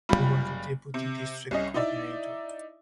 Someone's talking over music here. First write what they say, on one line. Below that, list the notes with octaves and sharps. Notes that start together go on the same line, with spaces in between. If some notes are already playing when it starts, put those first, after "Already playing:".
He was the Deputy District Coordinator.
F#1 G3 F4 B5
C3
C2 C#4 D#5
D#4 E4 D5 E5